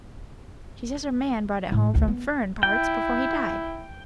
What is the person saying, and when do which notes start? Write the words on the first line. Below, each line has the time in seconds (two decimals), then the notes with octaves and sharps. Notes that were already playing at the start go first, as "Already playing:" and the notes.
She says her "man" brought it home from "furrin' parts" before he died.
1.72 A2
1.94 A1 D2
2.08 B3
2.63 E4 G5